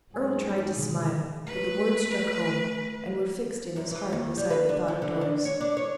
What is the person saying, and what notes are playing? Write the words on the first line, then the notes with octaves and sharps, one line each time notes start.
Earle tried to smile, but the words struck home, and were fixed in his heart beside the thought of Doris.
G#2 F#3 G#4
B2 D3 D#3
A3 B4
F#2
E3
D#2
G3
B4
D4
F3
D3
D4
C#5
D4
C#5